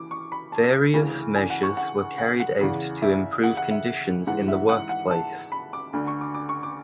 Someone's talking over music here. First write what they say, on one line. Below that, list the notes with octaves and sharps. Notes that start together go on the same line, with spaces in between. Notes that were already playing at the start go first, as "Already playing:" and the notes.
Various measures were carried out to improve conditions in the workplace.
Already playing: E3 D6
C#6
B5
A5
D2 C#3 E3
G#5
F#5
C#6
F#5
F#5
F#5
E2 C#3 E3
E5
F#5
F#5
E5
G#2 E3 F#5
E5
F#5
F#5
A5
B5
D6
D2 D3
C#6
D6
D6
C#6
D6